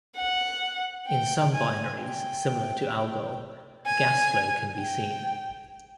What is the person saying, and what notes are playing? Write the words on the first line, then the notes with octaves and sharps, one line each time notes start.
In some binaries similar to Algol, a gas flow can be seen.
F#5
G5
G#5
G5
G#5
G5